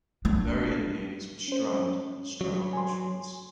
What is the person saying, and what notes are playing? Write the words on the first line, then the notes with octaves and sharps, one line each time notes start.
Variant names were "Stroud" and "Stroud Crossroads".
D4
C#4 C5
G3 C#4
F#3
G#5 C6